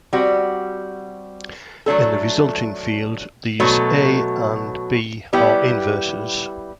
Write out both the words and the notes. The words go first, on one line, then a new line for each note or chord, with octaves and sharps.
In the resulting field, these "a" and "b" are inverses.
G3 C4 F#4
F#3 A3 D4 A4
B2 F#3 A3
G3 B3 E4 G4